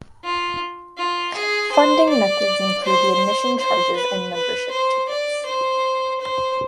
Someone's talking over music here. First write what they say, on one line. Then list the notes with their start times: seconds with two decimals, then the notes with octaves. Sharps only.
Funding methods include the admission charges and membership tickets.
0.24 F4
0.98 F4
1.36 G#4
1.72 C5
2.09 D5
2.84 C5
3.59 C5
3.96 B4
4.34 B4
4.71 C5
5.09 D5
5.46 C5
6.20 C5